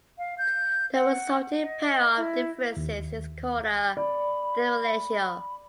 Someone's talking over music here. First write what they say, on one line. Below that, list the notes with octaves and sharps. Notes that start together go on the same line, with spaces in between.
The resulting pair of differences is called a differential.
F5
G6
F#5
D#5
E4
D#2
D5 B5